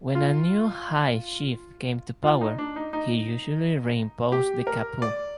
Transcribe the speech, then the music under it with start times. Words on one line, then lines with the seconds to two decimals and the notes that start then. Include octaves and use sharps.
When a new high chief came to power, he usually re-imposed the kapu.
0.15 F4
2.23 F4
2.41 D#4
2.58 D4
2.76 D#4
2.93 D#4
4.32 G4
4.67 A#4
5.02 D5